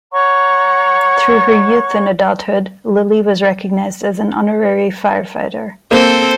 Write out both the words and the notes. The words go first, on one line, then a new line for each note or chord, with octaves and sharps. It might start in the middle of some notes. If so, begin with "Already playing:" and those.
Through her youth and adulthood Lillie was recognized as an honorary firefighter.
C#5 F#5 A#5 C#6
A#3 C4 A4 C5